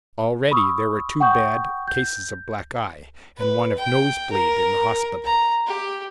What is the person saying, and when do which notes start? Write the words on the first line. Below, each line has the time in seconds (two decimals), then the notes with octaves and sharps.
Already there were two bad cases of black eye, and one of nosebleed, in the hospital.
0.51 B5 C#6 D#6 E6
1.20 F#5 G5 C#6 D#6 G6
1.88 G6
3.37 B4
3.77 G5
4.31 A#4
5.25 A#5
5.67 G4